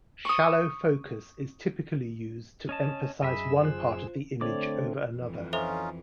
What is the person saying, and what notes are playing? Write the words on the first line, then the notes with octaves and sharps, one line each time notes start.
Shallow focus is typically used to emphasize one part of the image over another.
C#6 D#6
C#4 D#5 A5
F#2 G#4 D#5 E5 B5 E6
F4 C5 F#6
D3 A3 C4 C#5 D5 D6
F2 E3
C#4 D#4 F4 A4 C5 E5